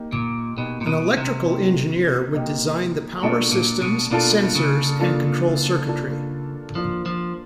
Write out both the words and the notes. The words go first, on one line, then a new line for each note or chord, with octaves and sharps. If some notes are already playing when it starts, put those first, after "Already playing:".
An electrical engineer would design the power systems, sensors, and control circuitry.
Already playing: A#3 D#4 G4
A#2
B2 A#3 D#4 G4
A#2
B2
C3
A#3 D#4 G4
A#3 D#4 G4
B2 A#3 D4 F4 A4
A#2
B2
B2 A#3 D4 F4 A4
C#3
A#3 D4 F4 A4
A#3 D4 F4 A4
F3 A#3 D4 F4
F3